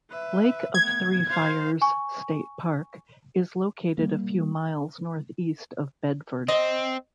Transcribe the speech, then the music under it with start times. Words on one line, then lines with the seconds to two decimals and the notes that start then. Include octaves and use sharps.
Lake of Three Fires State Park is located a few miles northeast of Bedford.
0.10 B4 E5
0.75 A3 B3 G#6
1.27 C5 F5
1.81 G#5 C#6
3.98 G3 A#3
6.48 C4 D#5